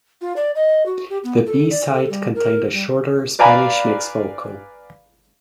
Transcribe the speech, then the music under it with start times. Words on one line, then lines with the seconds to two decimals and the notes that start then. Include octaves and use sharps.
The B-side contained a shorter Spanish Mix vocal.
0.21 F4
0.36 D5
0.55 D#5
0.86 F#4
1.09 G4
1.24 B3
1.46 A4
1.71 D5
1.93 A4
2.10 G3
2.35 A#4
2.73 G3
3.39 B4 D5 F5 G#5 A#5 B5